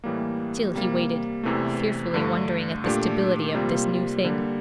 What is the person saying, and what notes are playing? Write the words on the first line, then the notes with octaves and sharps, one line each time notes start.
Still he waited, fearfully wondering at the stability of this new thing.
A2 E3 G3 A#3
C3 G3 A#3
E2 C3 E3 A3
G2 D3 A3
A#2 A3 D4 G4
C3 G3 A#3 F4
D3 G3 A#3